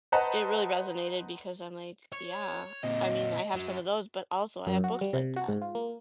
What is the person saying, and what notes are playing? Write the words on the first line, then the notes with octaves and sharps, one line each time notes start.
it really resonated because I'm like, "Yeah, I mean, I have some of those, but also I have books like that."
B4 C5 D#5 F#5 A5 A#5
C#5
A#2 C4 D#5
F#2 F#3
F#2
F#4
G3
C3
F#4
G#2
F4
A#3